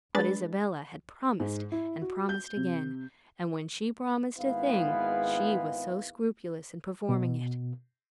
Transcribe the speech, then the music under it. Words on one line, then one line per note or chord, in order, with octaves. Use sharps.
But Isabella had promised and promised again; and when she promised a thing, she was so scrupulous in performing it!
G#3 D4 B4 A6
G#2
E4
F#4
G6
C3
G#1 G#3 B3 E4 B4 F5
B2